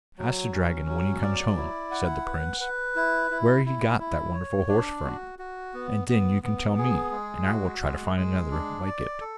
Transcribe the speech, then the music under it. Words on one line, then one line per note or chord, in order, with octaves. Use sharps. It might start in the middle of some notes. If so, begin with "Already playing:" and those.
'Ask the dragon when he comes home,' said the prince, 'where he got that wonderful horse from, and then you can tell me, and I will try to find another like it.'
F#3
C#4
F#3
D5
E4
F#5
B4
B4
E4
E4
E4
E4
C#5
D4
F#4
F#4
B3
B3
B3
G#4
G#3
F#4
G#3
G#3
D4
D5
A4